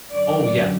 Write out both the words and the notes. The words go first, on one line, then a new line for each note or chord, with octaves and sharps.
oh, yeah.
F#2 D3 F#3 D5